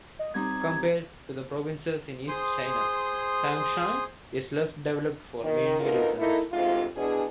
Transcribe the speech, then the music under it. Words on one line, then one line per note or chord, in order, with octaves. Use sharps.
Compared to the provinces in east China, Shanxi is less developed for many reasons.
D#5
G3 C4 D#4 G#6
G#4 C5 C6 D#6
D#3
D2 B2 D#4 F4 A#4
A3 A#3 D#4 E4
D2 G#2 C3 F4
E2 B2 D4 G#4